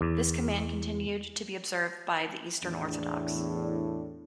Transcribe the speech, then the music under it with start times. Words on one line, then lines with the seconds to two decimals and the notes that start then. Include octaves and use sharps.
This command continued to be observed by the Eastern Orthodox.
0.01 E2
2.62 E2 A2 D4